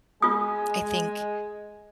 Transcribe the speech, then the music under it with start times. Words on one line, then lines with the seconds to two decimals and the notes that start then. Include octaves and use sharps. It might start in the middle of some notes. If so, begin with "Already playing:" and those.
I think
0.22 G#3 F4 G#5 D#6